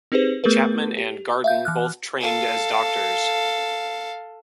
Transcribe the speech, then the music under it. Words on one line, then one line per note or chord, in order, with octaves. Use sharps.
Chapman and Garden both trained as doctors.
C4 D#4 G4 G#4 B4 C5
A3 B3 G#4 A#4 B4
G4
E5 F5 G6
E3 F6 F#6
A4 F5